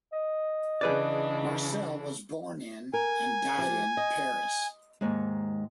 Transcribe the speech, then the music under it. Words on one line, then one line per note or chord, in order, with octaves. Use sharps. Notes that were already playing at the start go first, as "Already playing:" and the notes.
Marcel was born in and died in Paris.
D#5
C#3 E3 D4 G#4 B4 D5
A#4 G#5
F3 G4
D#5
D#2 G#2 G#3